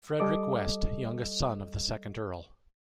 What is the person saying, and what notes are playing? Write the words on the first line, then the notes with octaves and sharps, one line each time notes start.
Frederick West, youngest son of the second Earl.
G3 A4 D#5 D6